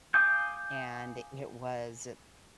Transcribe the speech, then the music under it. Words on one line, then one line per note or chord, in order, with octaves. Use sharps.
and it was
F5 G#5 D6 D#6 G6